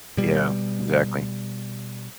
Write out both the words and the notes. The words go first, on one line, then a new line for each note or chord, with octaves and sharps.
Yeah, exactly.
B2 G3